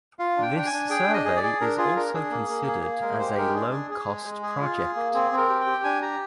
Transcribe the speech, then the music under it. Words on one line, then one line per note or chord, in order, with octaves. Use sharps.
This survey is also considered as a low-cost project.
F4 F5
D4
G5
D4 G5
G#5
D4
G#4 G5
D4
D#5
G#4
D5
G#4
D4 A#4
F4 G#4
D4 A#4
D4 G#4
A#3
A#3
G#4
A#3
G#3 A#4
G4 C5
G#3 A#4
D4 G#4
G#4
G#4
G#3
G#3
G#4
F4
G#4
A#3
C4 G#4
C4
A#4
G4
G5
G4
D4 G#5
G4 A#5